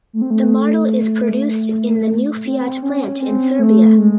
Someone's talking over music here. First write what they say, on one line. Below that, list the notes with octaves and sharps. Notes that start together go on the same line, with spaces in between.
The model is produced in the new Fiat plant in Serbia.
A3
C4
A3
C4
C#4
C4
C4
A3
G#3